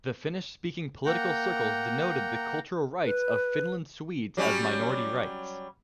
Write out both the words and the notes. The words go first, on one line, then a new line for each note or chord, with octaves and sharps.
The Finnish-speaking political circles denoted the cultural rights of Finland-Swedes as minority rights.
A#3 F#5 G5 A#5
B4
F#3 G3 C#4